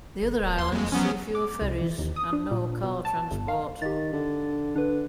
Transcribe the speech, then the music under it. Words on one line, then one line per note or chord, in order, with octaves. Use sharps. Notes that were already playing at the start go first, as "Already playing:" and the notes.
The other islands see fewer ferries and no car transport.
G#1
D1
D#2 C6
F2 G#3 A#3
F3 F#3 B3 C#4
D6
C2
E3
D#2
D#6
D4
A#2
B2
A5
G1
F5
D#3 G4 A6
D3
D3 D4 B4